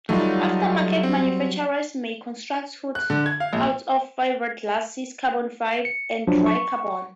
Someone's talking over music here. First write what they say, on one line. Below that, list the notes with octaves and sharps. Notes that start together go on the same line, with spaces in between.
Aftermarket manufacturers may construct hoods out of fiberglass, carbon fiber, or dry carbon.
F#3 G3 A3 D#4 F4
C4
F#6
D3
G#6
F5
A#1
C#7
F3 F#3 D4
C#6